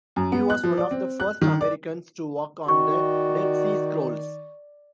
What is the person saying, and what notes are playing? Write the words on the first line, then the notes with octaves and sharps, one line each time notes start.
He was one of the first Americans to work on the Dead Sea Scrolls.
F#2
B3
F#6
F3
D5
C4
F#6
D#3
D5
D#3 F#4 D5 C#6